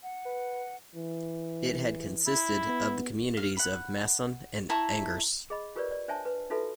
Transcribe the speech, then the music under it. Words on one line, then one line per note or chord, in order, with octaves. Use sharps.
It had consisted of the communities of Masson and Angers.
F#5
B4
E3
E4
B3
F5
F#5 B5
E4 A5 A#5 C#6
G#4 D#5 B5
F4 G4 A#4 B4 C#5 D5
D5
D4 C5 C#5 E5 G#5 A5
B4
D#4 F4 F#4 A4 B4 E5